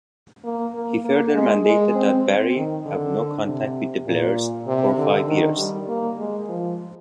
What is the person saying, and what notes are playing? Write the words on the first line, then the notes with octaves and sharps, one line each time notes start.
He further mandated that Barry have no contact with the Blairs for five years.
A#3
A#3
A#3
G#3
G#3
C4
C4
D#3
D3
C3
A#2
C3
D3
D#3
G3
A#3
G#3
F3